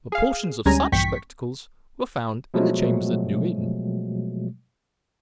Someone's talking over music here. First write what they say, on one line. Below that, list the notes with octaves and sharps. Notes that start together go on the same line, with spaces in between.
But portions of such spectacles were found in the chambers at New Inn.
G#4 F5
D2 G3 G#3 C#4 G#5 A#5
A#1 E2 G2 G5 C#6 B6
B2 F3 F#3 G#3 A3